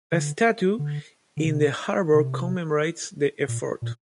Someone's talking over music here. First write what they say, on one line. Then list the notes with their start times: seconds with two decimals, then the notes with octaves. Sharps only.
A statue in the harbour commemorates the effort.
0.12 D3
0.79 D3
1.37 D3
1.46 C3
2.14 C3
3.48 A#2
3.82 A#2